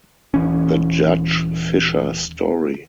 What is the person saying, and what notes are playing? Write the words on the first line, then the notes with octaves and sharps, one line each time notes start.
The Judge Fisher Story.
D#1 E3 C#4